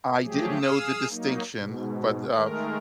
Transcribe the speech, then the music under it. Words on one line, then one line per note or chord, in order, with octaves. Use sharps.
I didn't know the distinction, but, uh,
F3 F#3 A3 G4 G#4
G#4 F5 D#6 E6
F#3 A#3 D#4
G#2 B2
D#3 G#3 A3 A#4